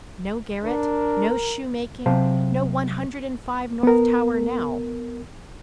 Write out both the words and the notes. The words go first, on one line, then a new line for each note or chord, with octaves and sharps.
No garret, no shoemaking, no One Hundred and Five, North Tower, now!
D4 A#4
C3 F#3 C5 F5 A5
B3 A#4